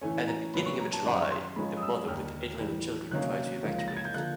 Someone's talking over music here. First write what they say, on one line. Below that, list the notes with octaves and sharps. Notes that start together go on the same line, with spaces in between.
At the beginning of July, a mother, with eight little children, tried to evacuate.
A2 E3 A3 C#4 G#5
A#5
A#2 F#3 B3 B5
C#6
A#5
A5
F#2 D#3 G3 A#5
C#6
C6
G#2 F3 G#3 C#4 B5
D#6
E6
D#2 D3 G3 F6
A2 E3 G3
C3 D#3 F#3 A#3 C#4 F#6
C#2 C#3 F3 A#3
A#6
A6
G#6
G6
D3 F3 A#3 F#6